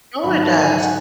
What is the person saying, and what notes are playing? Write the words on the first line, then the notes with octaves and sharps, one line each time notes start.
No. It does.
G#2 D#3 F#3 B5
A5
G#5
F#5